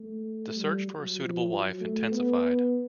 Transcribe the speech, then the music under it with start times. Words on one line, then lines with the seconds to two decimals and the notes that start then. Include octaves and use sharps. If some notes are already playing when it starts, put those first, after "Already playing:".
The search for a suitable wife intensified.
Already playing: A3
0.56 G3
0.87 F#3
1.19 F3
1.49 F#3
1.81 A3
2.11 B3